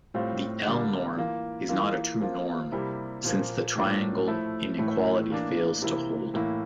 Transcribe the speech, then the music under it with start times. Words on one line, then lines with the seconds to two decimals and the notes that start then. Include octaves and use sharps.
The "L"-norm is not a true norm, since the triangle inequality fails to hold.
0.14 A2 G3 C4 F4
0.66 D3 G3 A#3 D4
1.17 E3 A#3 F4
1.69 E3 A#3 F4
2.21 F3 A#3 F4
2.72 C3 G3 A#3 E4
3.24 A#2 F3 A#3
3.75 A2 F3 A#3 D4 F4
4.27 F3 A3 E4
4.78 A2 E3 A3 E4
5.30 E3 A#3 D4
5.82 C3 E3 A#3 E4
6.34 A2 E3 A#3 E4